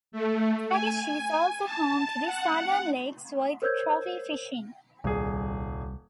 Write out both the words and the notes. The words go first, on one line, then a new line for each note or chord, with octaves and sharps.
Tagish is also home to the Southern Lakes with trophy fishing.
A3
G#5
A5
F#5
A#4 C5 C#5 E6 G6 G#6
D#1 C2 G3 G#4